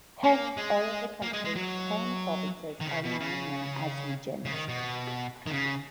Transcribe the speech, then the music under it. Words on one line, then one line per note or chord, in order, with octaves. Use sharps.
Hence, all of the country's ten provinces are now known as regions.
A#3
G#3
A#3
G#3
G#3
F#3
D#3
C#3
B2
C#3
C#3
D#3
B2
D#3
C#3